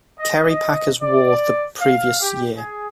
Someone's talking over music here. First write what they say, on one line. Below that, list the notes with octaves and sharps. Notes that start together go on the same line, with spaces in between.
Kerry Packer's War the previous year.
D#5
D#5
D5
F5
G4
G#4